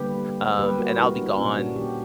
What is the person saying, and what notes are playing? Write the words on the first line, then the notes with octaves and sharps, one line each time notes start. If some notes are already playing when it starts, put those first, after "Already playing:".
Um, and I'll be gone
Already playing: D3 G3 A#3 G4 B4
D3 G3 A#3 G4 B4
F#4 A#4
E4 G4
D4 F#4
A#2 A#3 C#4 E4
D4 F#4
E4 G4